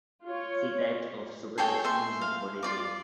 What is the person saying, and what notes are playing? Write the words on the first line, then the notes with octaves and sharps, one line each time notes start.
See types of Supersessionism for details.
F4 C#5
G#4 A4 C#5 G5
E5 C6
F5
F4 D5 D6